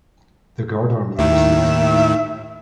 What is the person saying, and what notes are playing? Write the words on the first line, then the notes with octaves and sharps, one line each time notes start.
The guard army was used.
D#2 A2 D#3 E5